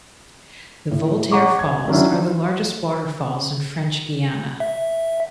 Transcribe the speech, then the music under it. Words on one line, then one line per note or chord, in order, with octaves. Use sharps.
The Voltaire Falls are the largest waterfalls in French Guiana.
A2
C#5 F#5 A#5 C#6 D6
G#6
D#3 F#3 C#4 D4 E4
E5